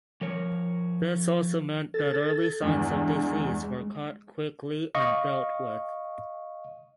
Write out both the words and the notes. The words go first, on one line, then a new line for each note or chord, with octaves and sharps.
This also meant that early signs of disease were caught quickly and dealt with.
F3 A#4 C#5
A4 A6
E2 G2 G#3
D#5 F5 C#6